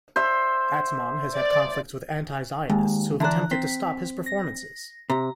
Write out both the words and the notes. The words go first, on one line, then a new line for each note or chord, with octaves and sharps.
Atzmon has had conflicts with anti-Zionists who have attempted to stop his performances.
C5 E5
D5
D#2 G#3
D3 E3 D4 A#5 F#6
C4 B6
A#6
C3 A#5